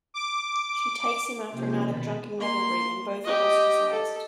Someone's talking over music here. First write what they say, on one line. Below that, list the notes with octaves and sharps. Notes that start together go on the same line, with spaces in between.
She takes him after a night of drunken revelry, and both are ostracized.
D6
C3 F3 A#3 C#4 G4 C5
B2 D#3 A5 B5
A#3 C6
G4 D#5
A4